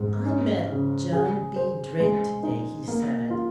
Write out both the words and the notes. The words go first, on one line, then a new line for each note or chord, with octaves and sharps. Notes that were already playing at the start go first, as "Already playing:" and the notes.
"I met John B. Drake to-day," he said.
Already playing: G#2
C#4
C#3
G#4
C5
G#3
D#4
A#3
F4